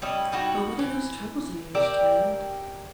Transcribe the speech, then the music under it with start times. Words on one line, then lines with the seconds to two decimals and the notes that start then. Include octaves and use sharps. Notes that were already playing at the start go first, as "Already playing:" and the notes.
But what are these troubles of yours, child?
0.02 G3 C#4 E4 D#5
0.32 G3 D#4 E4 F#4
0.79 E3
1.75 G4 A#4 D5 E5